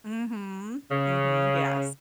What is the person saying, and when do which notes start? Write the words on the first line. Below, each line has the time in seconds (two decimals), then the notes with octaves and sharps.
Mhm. Mhm. Yes.
0.90 C#3